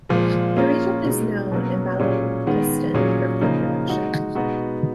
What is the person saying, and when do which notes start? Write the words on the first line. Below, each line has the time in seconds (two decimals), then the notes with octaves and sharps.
The region is known in Balochistan for fruit production.
0.09 A#2 F3 G#3
0.57 A#3 C#4 F4 G#4
1.04 B2 G#3 D#4
1.52 B2 F#3 A#3 C#4
2.00 A#2 F#3 C#4 G#4
2.47 D#3 G#3 B3
2.94 A#2 F#3 C#4 G#4
3.41 C#3 F3 A#3 D#4
3.89 G#3 D#4 F#4
4.35 B2 G#3 B3 D#4 F#4